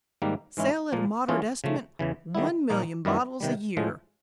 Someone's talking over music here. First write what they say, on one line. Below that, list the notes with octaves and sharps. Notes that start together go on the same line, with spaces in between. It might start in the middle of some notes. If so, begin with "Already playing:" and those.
Sale, at a moderate estimate, one million bottles a year.
G#2 D#3 G3 A#3
G#2 E3 G#3 C#4 E4
A#2 F3 A#3
E3 A3 C#4 F4 G#4
C#3 F3 A3
E2 C#3 E3
D#3 G3 B3 E4
A#2 F3 A#3 D#4
F#2 D#3 G3 B3 E4
C3 D#3 G3
A2 F3 G#3